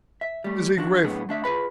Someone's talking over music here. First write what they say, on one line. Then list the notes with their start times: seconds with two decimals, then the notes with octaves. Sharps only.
Is he grateful?
0.21 E5
0.44 G3 A3
0.77 F3 D4 F#4
1.04 A2 F#3 B3 D4 G#4
1.29 A3 D4 E5
1.44 F4 G#4 B4 B5